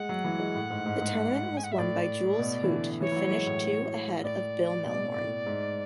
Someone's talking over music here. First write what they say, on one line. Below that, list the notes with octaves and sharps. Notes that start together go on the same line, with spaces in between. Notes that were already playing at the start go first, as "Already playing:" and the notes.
The tournament was won by Jules Huot who finished two ahead of Bill Mehlhorn.
Already playing: G#3 F#5
F#3
E3
G#3
A2
G#2
G#2
G#2
G#5
F#5
E5
A2 D5
B2
E3
D3
E3 C#5
E3
F#3
G#3
A2
A2 D5
B2
A2
G#2